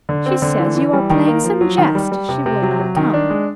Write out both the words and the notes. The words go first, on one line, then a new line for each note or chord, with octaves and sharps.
"She says you are playing some jest, she will not come."
D3
C4
D3
E3
E3
G3
D#3
A#3
F3
F#3
D#3
G3
G3
C3
C3
F#3
F#3
D#3
D4
G#3